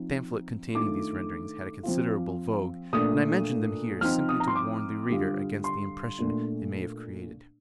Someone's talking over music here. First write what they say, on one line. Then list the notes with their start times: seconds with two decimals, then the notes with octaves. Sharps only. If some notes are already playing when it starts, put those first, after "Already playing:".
The pamphlet containing these renderings had a considerable vogue, and I mention them here simply to warn the reader against the impression they may have created.
Already playing: F3 C4 D#4
0.75 D#3 A3 D4 F4 D6
1.83 F3 C4 F4
2.93 A#2 A3 D4 D#6
4.01 F3 C4 D#4 F6
4.29 D#6
4.40 A#5
4.48 C6
4.55 D6
5.10 D3 G3 D4 F4
5.64 C6
6.19 A#2 A3 D4